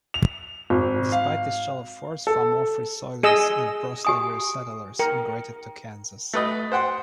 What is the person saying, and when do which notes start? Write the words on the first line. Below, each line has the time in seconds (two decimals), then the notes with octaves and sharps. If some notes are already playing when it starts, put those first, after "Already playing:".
Despite this show of force, far more free-soilers than pro-slavery settlers migrated to Kansas.
0.14 F7
0.70 G#1
1.12 F5
2.27 A4
3.23 G#4 D#5 E6
4.05 G4 G#5 D#6
4.99 A#4 G5
6.33 A3 B4 D#5
6.72 C5 F#5 G5 C6